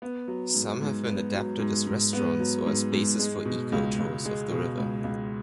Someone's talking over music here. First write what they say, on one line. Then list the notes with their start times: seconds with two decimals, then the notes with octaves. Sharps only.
Some have been adapted as restaurants or as bases for eco-tours of the river.
0.02 B3
0.28 F#3
0.54 G#2
0.81 G#2
1.07 B3
1.34 F#3
1.60 G#2
1.87 G#2
2.13 B3
2.40 F#3
2.66 G#2
2.92 G#2
3.19 G#3
3.45 B2
3.72 C#2
3.99 C#2
4.25 G#3
4.51 B2
4.78 C#2
5.04 C#2